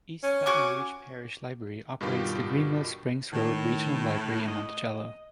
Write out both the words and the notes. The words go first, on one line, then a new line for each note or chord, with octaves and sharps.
East Baton Rouge Parish Library operates the Greenwell Springs Road Regional Library in Monticello.
C#4
F#4 G#5 D6
G2 B2 D#3 G3 F4 G4
A2 D#3
D#5